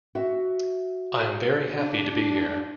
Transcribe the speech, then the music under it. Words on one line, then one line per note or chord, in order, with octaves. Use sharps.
I am very happy to be here.
F#4 E5
D4